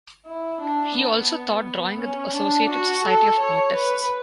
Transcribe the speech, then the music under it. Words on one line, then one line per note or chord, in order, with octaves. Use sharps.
He also taught drawing at the associated Society of Artists.
E4
D4
B3
B3
C#4
D4
F#4
A4
C#5
B4